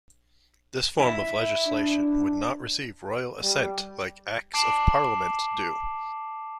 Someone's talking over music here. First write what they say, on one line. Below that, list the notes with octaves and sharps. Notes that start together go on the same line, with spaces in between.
This form of legislation would not receive royal assent like Acts of Parliament do.
E4 E5
D4
G3
A5 D6 C7 D7 E7 F#7